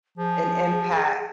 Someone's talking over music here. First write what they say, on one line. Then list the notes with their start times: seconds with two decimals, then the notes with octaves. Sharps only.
an impact
0.18 F3 G#4